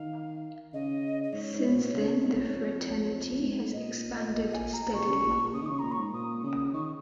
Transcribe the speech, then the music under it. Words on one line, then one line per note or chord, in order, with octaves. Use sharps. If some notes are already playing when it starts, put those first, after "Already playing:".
Since then the fraternity has expanded steadily.
Already playing: D#3 F5
C#3 D#5
D#5
G#2 C#5
G#2
A#2
C#3
G#2
C#3
A#2
G#2
F2
F2
G#2
A#2 D#5
D#5
G#5
A#5
A#2 C#6
C#3
A#2
A#2
C#3 D#6
D#3
C#3 C#6
A#2 A#5
C#6
G#2
A#2 D#6
C#3
C#3
D#3 C#6